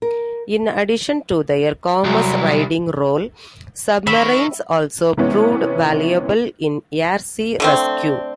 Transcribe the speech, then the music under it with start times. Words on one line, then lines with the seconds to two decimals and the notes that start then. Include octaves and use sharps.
In addition to their commerce raiding role, submarines also proved valuable in air-sea rescue.
0.02 A#4
2.04 C2 F#3
4.07 D#3 E5 B5 C#6
5.17 C3 E3 G#3 B3 C#4
7.60 D3 A3 C4